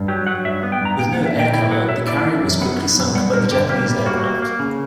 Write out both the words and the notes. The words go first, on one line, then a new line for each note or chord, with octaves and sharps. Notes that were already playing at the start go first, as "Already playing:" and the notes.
With no air cover, the carrier was quickly sunk by the Japanese aircraft.
Already playing: G2
F#3 G4
F#3 F#5
G2 E5
B3
G5
G2 A#5
A#3 G5
F#5
A#3
E5
A#2 G5
E4 G5
F#3 F#5
A#2 E5
E4 D5
E3
F#2
B3 F#5
B3
F#2
G3 F#5
D3 A#4
G2 G4
A#3 G4
G3
A#3 F#4
A#3
A#3
C#3